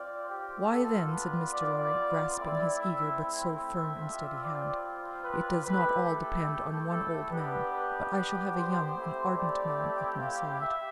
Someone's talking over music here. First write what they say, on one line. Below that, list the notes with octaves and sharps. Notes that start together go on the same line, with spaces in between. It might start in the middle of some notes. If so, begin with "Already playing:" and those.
"Why, then," said Mr. Lorry, grasping his eager but so firm and steady hand, "it does not all depend on one old man, but I shall have a young and ardent man at my side."
Already playing: C4 F4 D5
G4
G3 B3 F4 A4
B4
D5
A3 C4 E4 D5
E5
E5
G3 C4 F4
D5
B4
A3 E4 G4 B4
A4
A4
B3 D4 G4 B4
B4
B4
C5
A3 C4 E4 G4
D5
F5
G4 E5